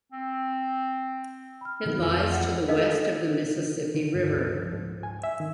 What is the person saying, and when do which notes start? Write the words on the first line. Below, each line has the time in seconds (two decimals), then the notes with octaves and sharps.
It lies to the west of the Mississippi River.
0.12 C4
1.61 B5 F6
1.86 D#3 F#3 G#3 B3
1.99 F2 F4
2.32 F#5
2.68 A4 A#4 D#5 F5
3.94 D3
4.15 G2
4.31 C#2
4.59 F3
4.73 G#2
5.03 G#5
5.23 E5
5.40 D#3